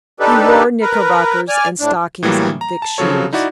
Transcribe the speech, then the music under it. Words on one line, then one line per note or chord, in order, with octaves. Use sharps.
He wore knickerbockers, and stockings, and thick shoes.
D4 D#4 G4 A4 B4
A#4 B4
D5 G#5 F6
A2 D4
A2 E3 F#3 G3 A#3
A#5
A5
C#3 F3 F#3 A4 C#5
D#4 E4 F#4 D5